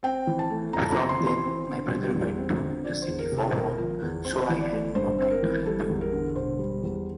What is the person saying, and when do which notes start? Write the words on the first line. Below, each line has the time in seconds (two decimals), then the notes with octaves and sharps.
From then, my brother went to the city for work, so I had no time to help you.
0.03 C4 G5
0.27 E3
0.39 A5
0.50 A3
0.73 F2 A#5
0.84 A5
0.91 A#5
0.97 C4
1.09 C6
1.21 E3
1.27 C6
1.44 C4
1.67 D3
1.91 G3
2.14 E2
2.38 C4
2.61 D3
2.84 F3 D5
3.02 C5
3.08 E2
3.19 A#4
3.32 C3
3.38 A4
3.49 C5
3.55 E1 A#4
3.78 F3
4.02 E2
4.25 C4 C5
4.49 E3
4.60 D5
4.72 A3
4.95 G2 C5
5.19 C4 C5
5.30 A#4
5.43 E3
5.66 G3 A4
5.89 E2
6.01 A#4
6.12 D3
6.36 E1 C5
6.59 G3
6.83 E2